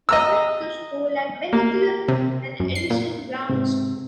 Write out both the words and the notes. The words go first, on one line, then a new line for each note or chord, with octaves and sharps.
He went to school at Penleigh and Essendon Grammar School.
D#5 A#5 E6
A#3
C3
F#2
C7
A#2
G#2 C3 C4